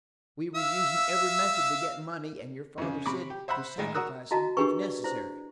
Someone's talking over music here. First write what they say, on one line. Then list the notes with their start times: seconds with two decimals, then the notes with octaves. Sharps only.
"We were using every method to get money, and your father said to sacrifice them, if necessary."
0.55 E5 F5 E6
2.78 F2 C#3
3.06 C3 B5 C#6 D6
3.30 G4
3.48 C5 E5 F#5 B5 F#6
3.78 A1 D#3 G#3
3.94 F#4 A#4 A#5 D#6 E6 F#6
4.31 E4 F#4 D#5 A5 A#5
4.57 D4 G4 G#4 A#4 B4 C#6
4.82 D5
5.04 E4 C5